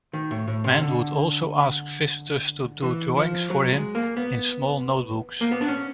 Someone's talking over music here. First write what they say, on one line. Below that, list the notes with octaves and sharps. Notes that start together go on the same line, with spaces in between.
Man would also ask visitors to do drawings for him in small notebooks.
D#3
A2
A2
C3
D3
E3
F3
F#3
G#3
A#3
B3
A#3
B3
D4
C#4